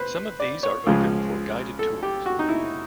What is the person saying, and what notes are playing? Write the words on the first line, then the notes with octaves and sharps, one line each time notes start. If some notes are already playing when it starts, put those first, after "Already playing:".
Some of these are open for guided tours.
Already playing: B4 C5
D5
C#5
C#2 C#3 F3 G#3
A4
G4
F#4
D#4
E4